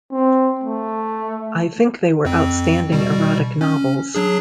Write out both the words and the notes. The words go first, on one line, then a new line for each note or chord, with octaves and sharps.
I think they were outstanding erotic novels.
C4
A3
F2 C4
B2 G3
C#4
F#3 D4 G#4